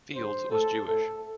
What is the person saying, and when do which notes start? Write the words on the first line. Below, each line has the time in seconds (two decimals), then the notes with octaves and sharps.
Fields was Jewish.
0.15 G2 D3 G3 C5
0.51 A2 A3 A4
0.86 A2 A3 A4